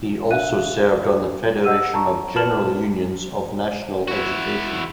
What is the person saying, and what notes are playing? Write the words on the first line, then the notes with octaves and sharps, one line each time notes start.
He also served on the Federation of General Unions of National Education.
D4 E5 F5 F#6 D#7
D#5 F#5 E6 D#7
A5 A#5 C#6
B4 A5 B5 F6 E7 F#7
E4 F#4